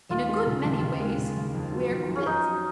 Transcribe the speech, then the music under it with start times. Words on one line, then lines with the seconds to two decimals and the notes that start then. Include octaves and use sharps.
In a good many ways, we're quits.
0.10 D#2 F4
0.29 G#3
0.47 C#3
0.65 D#2
0.83 D#2
1.00 G#3
1.18 C#3
1.37 D#2
1.54 F2
1.72 F#3
1.91 D#3
2.08 F2
2.16 C#4
2.26 F2 D#4
2.44 F#3